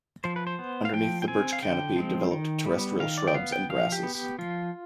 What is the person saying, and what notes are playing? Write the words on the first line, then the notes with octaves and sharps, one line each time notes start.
Underneath the birch canopy developed terrestrial shrubs and grasses.
F3 C5
B4
C5
B3
F5
F3 G5
G5
C4 G#5
F5
D3 G5
F3 G#3 C4
D#3
G3 B3
D#3 F5
D5
G5
B3 F5
G5
F3 F5
G4
B3
G4
F3 F4